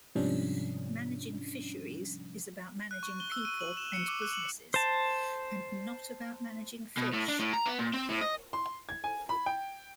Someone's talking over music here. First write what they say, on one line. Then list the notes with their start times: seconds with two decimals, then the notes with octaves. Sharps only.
Managing fisheries is about managing people and businesses, and not about managing fish.
0.15 G#2 C3 F3 G3 C#4 D4
2.91 F#6
3.03 C#6
3.20 G7
3.32 E6
3.45 D#7
3.61 F#7
3.77 E7
3.93 C#7
4.08 D6
4.22 F#6
4.33 F#7
4.74 C5 A5
6.97 B2
7.13 A2
7.28 D4
7.39 A2
7.53 A#5
7.66 B3
7.79 A#2
7.94 C4
8.09 A2
8.21 D#5
8.53 C6
8.89 G#6
9.04 G#5
9.29 B5
9.46 G5